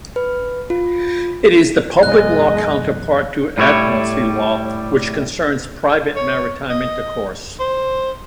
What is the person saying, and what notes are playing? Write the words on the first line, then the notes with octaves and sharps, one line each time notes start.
It is the public law counterpart to admiralty law, which concerns private maritime intercourse.
B4
F4
F#2 B2 E3 G#3 D#5 F#6
A2 G3 E4 C#5
C#5
D#5
C5